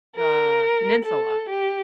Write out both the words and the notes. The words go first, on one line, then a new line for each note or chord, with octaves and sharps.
the Peninsula
A#4
A4
G4